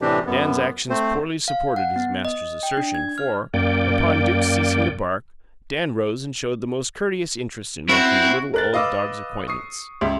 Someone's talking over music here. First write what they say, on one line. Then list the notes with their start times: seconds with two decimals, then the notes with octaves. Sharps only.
Dan's actions poorly supported his master's assertion, for, upon Duke's ceasing to bark, Dan rose and showed the most courteous interest in making the little, old dog's acquaintance.
0.02 A2 C3 E3 C4 D4 G4
0.26 F#2 B3
0.90 A3 C4 C5
1.48 F5
1.76 F#5
1.96 B3
2.25 D#5
2.63 G5
2.77 D4
2.95 G#6
3.18 F6
3.54 F#2 A#3 D5 G5
7.89 C4 E4 F#4
8.54 A#4 F#6 A6
8.73 B4 D#5 F5 D6 E6
9.48 C#6 D#6 C7
10.01 C#2 E5 C6